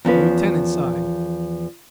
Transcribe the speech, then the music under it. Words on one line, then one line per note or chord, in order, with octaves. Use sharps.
The Lieutenant sighed.
E2 F3 C#4 B4